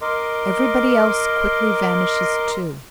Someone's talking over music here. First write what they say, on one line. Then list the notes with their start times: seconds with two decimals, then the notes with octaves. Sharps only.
Everybody else quickly vanishes too.
0.01 A#4 D#5 C6 D6